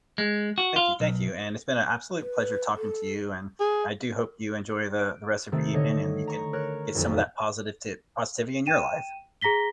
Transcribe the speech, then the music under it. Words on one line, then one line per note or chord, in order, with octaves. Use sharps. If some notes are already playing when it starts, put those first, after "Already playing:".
Thank you, thank you, and it's been a absolute pleasure talking to you, and I do hope you enjoy the the rest of your evening and you can get some of that positivtiv positivity in your life.
G#3
F#4
F4
B1
B4
A4
G#4
D7
C3 D#3 A3 C4
D3 C#5 D#5
A#5 C#6
A#4 C#5 F#6
D#1 B1 F2
G5 D#7 E7
G#4 A#5 A#6 B6 G7